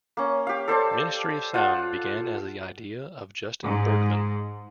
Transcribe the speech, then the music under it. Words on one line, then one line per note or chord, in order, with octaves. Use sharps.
Ministry of Sound began as the idea of Justin Berkmann.
A#3 C#4
G4 F5
A4 C5 D5 A5
F4 F#5 A5
G#2